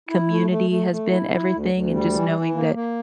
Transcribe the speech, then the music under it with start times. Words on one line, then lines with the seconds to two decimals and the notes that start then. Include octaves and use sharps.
community has been everything, and just knowing that
0.09 E4
0.30 A3
0.50 A3
0.70 A3
0.91 A3
1.11 E4
1.32 E4
1.52 D2
1.73 D2
1.93 G3
2.14 E3
2.34 E3
2.55 A#3
2.75 A#3